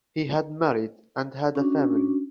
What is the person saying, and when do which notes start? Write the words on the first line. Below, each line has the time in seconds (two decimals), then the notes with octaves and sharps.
He had married and had a family.
1.55 C#4 D4 F#4